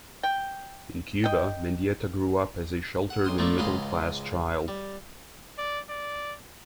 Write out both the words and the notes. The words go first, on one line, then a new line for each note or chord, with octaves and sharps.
In Cuba, Mendieta grew up as a sheltered and a middle class child.
G5
D#5 G5
F#5
B1 C6 D#6
F3 A3 A#3 D4 E4
C#2 G#2 D#5 F5 B5 C6
G3
D5
D5